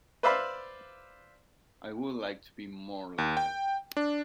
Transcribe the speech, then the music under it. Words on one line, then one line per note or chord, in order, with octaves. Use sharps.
I would like to be more like that.
B4 C5 D5 E5 F5 B5
D#2
G5
D4